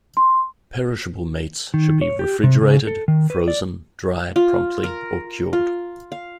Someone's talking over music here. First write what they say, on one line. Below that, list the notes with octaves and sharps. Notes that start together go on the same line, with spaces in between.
Perishable meats should be refrigerated, frozen, dried promptly or cured.
C6
D#3
C#5
G4
C3
C#3
A4
D#3
B4
D5
F4
A#4
F4
F5